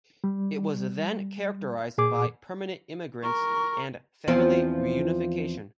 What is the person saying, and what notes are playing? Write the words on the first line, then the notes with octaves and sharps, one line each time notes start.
It was then characterized by permanent immigrants and family reunification.
G3
A#2 G#4 D6
A#4 C#6
E2 F3 C4